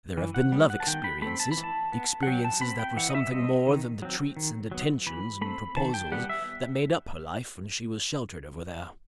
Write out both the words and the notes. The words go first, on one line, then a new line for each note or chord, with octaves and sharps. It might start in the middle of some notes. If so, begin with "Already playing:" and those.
There have been love experiences; experiences that were something more than the treats and attentions and proposals that made up her life when she was sheltered over there.
E3
F#5
G3 B3
F#5
A5
D#3 G5
B5
A3 C4 B5
A5
B5
E3
A5
B3
F#5
F#3 G5
A5
C4 B5
G5
E3 F#5
D#5
E5
G3 C4 D#5
D#3
F#3 C4
D#3
F#3 B3
E3 B5
A3 C4 B5
D#3 A5
G5
G3 B3 F#5
E5